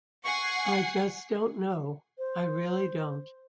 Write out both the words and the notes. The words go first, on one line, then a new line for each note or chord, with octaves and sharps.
I just don't know, I really don't.
F#5 G#5 C#6 C7
C5